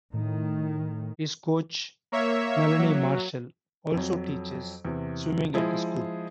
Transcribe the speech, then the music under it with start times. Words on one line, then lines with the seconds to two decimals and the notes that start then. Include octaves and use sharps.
His coach, Melanie Marshall also teaches swimming at the school.
0.13 A2 D#3
2.12 A#3 C#5 E5
2.79 F#3
3.94 F2 F#3
4.85 E2 C3
5.54 F3 G#3 E4 G#4